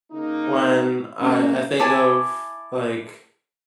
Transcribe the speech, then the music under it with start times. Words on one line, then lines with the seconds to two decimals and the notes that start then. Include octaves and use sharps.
When I I think of, like,
0.12 C#3 A#3 D#4
1.20 E2 A2 A#3 C#4
1.79 E4 G#5 A5 D6